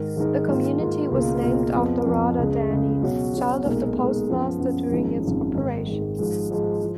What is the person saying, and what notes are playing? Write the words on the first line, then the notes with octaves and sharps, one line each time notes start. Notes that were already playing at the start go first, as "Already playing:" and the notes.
The community was named after Rada Dany, child of the postmaster during its operation.
Already playing: G#2 D#3 G#3 D#4 A#4
G#2 D#3 G#3 D#4 A#4
G#2 D#3 A#3 F4
G#2 D#3 A#3 F4
C#2 B2 A#3 F4
C#2 B2 A#3 F4
F2 F3 B3
F2 F3 B3
C#2 C#3 G#3
C#2 C#3 G#3
B2 F#3 C#4 F#4
B2 F#3 C#4 F#4
B1 A#2 G#3 D#4 A#4
B1 A#2 G#3 D#4 A#4
F#2 F3 B3
F#2 F3 B3
G#1 F#2 F3 G#3 D#4
G#1 F#2 F3 G#3 D#4
G#2 D#3 G#3
G#2 D#3 G#3
G#2 F3 G#3
G#2 F3 G#3
F3